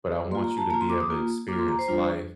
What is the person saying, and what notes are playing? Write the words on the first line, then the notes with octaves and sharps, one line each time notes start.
but I want you to be able to experience life
A#3 F4 C6
A#5
A5
A#3 F4 A#5
C6
D6
D#6
A#3 F4
A#3 F4 D6
C6
A#5
C5
G3 D4 F4